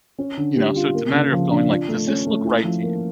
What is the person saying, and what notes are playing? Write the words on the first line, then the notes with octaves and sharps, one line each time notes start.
You know, so it's a matter of going like, "Does this look right to you?"
C#4
D3
G3
F4
A#3
C#3
F3
D4
F4
A3
C#4
A3
E4
F3
A#3